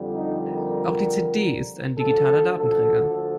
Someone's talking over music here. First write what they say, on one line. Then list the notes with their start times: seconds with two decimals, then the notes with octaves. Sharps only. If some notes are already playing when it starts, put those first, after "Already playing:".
Auch die CD ist ein digitaler Datenträger.
Already playing: F2 D3 G3
0.13 D#4
0.43 A#4
1.98 D2 D3 F3 A4
2.59 A4